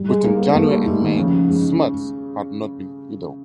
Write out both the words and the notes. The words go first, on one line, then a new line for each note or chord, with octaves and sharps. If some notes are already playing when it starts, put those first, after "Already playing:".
Between January and May Smuts had not been idle.
Already playing: G3
G#3
A#3 D#4
B3
A3 A#3
G3
D#4
D#3
C#3 F3
G#3